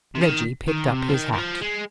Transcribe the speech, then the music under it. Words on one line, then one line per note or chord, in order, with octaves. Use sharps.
Reggie picked up his hat.
C3
D#3
D#3
C3
F3
D#3
D#3
F3
G#3